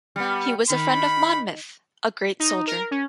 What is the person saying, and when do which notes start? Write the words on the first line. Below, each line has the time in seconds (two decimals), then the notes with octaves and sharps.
He was a friend of Monmouth, a great soldier.
0.16 G3 B3
0.70 D#3 B5
2.40 D#4
2.67 A#4
2.91 C#4